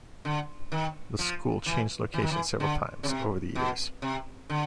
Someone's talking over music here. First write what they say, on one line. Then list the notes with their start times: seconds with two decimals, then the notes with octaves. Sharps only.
The school changed location several times over the years.
0.25 D3
0.72 D#3
1.19 F3
1.66 E3
2.14 E3
2.22 D#3
2.31 E3
2.60 D3
3.03 C#3
3.08 C3
3.55 B2
4.02 C3
4.50 D3